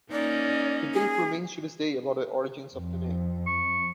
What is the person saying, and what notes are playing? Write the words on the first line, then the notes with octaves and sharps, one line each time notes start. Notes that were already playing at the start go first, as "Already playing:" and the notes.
Debate remains to this day about the origins of the name.
A#3 C#4 D#4 D5
G#4
F2
C#6